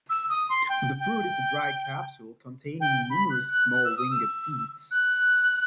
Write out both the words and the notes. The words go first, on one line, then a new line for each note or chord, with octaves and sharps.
The fruit is a dry capsule containing numerous small winged seeds.
E6
D#6
C6
G5
G5
G5
B5
F#6
F#6
F#6
E6
D#6
E6
F#6